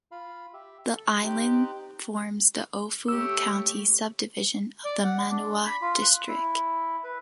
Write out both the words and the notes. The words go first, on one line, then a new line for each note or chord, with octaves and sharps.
The island forms the Ofu County subdivision of the Manua District.
F4 F5 B5
G4 E5
A4
C4 D#4 G4 F#6
A3 G4 C#5 E6
D5
F#5
D4
B5
F4
F#6
E4
B4